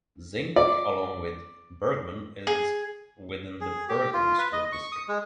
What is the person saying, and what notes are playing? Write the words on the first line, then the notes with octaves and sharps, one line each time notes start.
Zinc, along with Bergman, is within the Bergman School District.
D5
G#4
G#4
G4
F4
B4
D#5
C#6
D#6
G#3